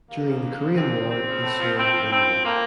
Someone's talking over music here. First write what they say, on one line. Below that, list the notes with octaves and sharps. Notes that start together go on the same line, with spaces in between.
During the Korean War he served one year.
D#2 A#3
C#3 F3
D#2
C#3 F3
D#2 C4
C#3 F3
D#2 C4
C#3 F3
A2
F3
A2 C4
F3
A2 C4
F3
A2 A#3